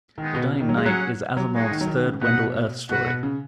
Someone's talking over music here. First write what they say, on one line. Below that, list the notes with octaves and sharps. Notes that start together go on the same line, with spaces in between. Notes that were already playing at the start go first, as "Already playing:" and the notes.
"The Dying Night" is Asimov's third Wendell Urth story.
D#3 G#3 B3 D#4
B2
C#3
D#3
F#3
G#3
F#3 C#4 G#4 C#5 F#5
F#3
G#3 D#4 G#4 C#5 F#5
D#3
F#3
D#3
C#3
B2 D#4 B4 F#5
B2 F#4 B4 F#5
B2
C#3